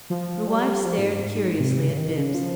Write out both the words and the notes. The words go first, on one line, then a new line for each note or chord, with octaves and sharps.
The wife stared curiously at Bibbs.
F3
G3
F3
G#2
G2
G#2
C3
C#3
D#3
C#3
F3